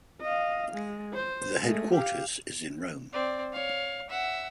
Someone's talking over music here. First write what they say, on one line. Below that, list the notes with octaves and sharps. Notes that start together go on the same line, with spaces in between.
The headquarters is in Rome.
D#5 F5
G#3
C5
G#3 A3
G4 F5
C4 D5
C#5 F5
E5 F#5